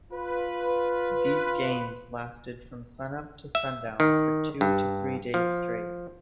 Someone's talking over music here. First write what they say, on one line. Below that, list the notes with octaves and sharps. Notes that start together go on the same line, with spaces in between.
These games lasted from sunup to sundown for two to three days straight.
F4 B4
E5
D#3
G2
F3